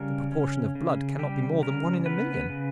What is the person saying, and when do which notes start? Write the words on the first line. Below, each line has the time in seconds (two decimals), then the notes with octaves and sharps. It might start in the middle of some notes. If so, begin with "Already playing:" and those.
The proportion of blood cannot be more than one in a million.
Already playing: C#3 G3 A#4
0.32 C#4
0.75 C#3
1.19 G3 G4
1.62 C#3 A#4
2.05 B3 B4
2.50 C#3